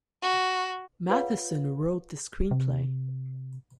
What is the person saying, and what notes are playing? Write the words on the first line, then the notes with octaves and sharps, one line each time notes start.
Matheson wrote the screenplay.
F#4
F4 G#4 B4 C#5 F5 F#5
C3